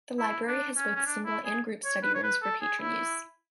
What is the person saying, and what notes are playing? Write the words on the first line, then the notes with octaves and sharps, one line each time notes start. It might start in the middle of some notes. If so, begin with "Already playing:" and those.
The Library has both single and group study rooms for patron use.
E4
D4
C#4
C#4
D4
E4
G#4
C#5
B4
C#5
B4
A4
G#4
E4